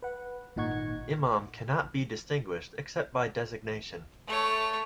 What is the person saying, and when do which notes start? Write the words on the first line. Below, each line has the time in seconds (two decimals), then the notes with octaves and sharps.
Imam can not be distinguished except by designation.
0.02 B4 F#5
0.56 G#1 A#2 D#4 F#5 C#6 G#6
4.27 A3 C#5